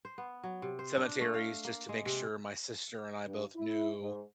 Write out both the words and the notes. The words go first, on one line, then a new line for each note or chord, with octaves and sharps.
cemeteries, just to make sure my sister and I both knew,
C5
B3
F#3
C3
C5
D4
A3
F5
A#3
G#3
C3
G2
E4
G#2